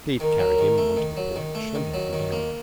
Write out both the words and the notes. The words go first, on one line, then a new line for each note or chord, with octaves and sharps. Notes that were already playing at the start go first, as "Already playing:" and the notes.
Steve carried him on to the porch and laid him down.
D#3 A#4
F#3
D#3
A3
D#3
F#3
D#3
A3
D#3
F#3
D#3
A#3